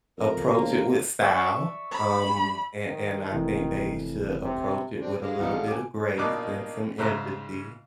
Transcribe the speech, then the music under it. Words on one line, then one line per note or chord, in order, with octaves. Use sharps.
approach it with style, um, and and I think they should approach it with a little bit of grace and some empathy.
F2 A#4
E1 A#3
D5 E5 C#6
B5
D#3
F1 E3
C3
C4 D4
D3 G#3 F5
B1 E3 G3 D#4 F5 F#5
G#3 A3
G#5 D6
A#1 B2 A#3 D#4 D6 F#6
G#2 C#3 C5 E5 A#5 F#6